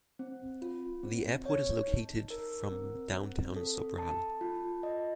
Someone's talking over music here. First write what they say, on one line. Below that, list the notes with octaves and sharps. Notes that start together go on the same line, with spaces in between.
The airport is located from downtown Sobral.
C4
F4
C4
C#5
D#4
A#4
C4
C4
A4
A5
F4
D#5